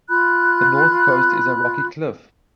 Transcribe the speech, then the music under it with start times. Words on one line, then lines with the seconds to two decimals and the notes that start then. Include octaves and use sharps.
The north coast is a rocky cliff.
0.09 F4 B5 F#6